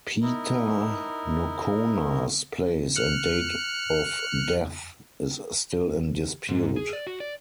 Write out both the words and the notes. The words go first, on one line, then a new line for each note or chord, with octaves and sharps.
Peta Nocona's place and date of death is still in dispute.
D#4 E4 A#4
F6 F#6 C#7
G#2
G#4
D5
F#4
D5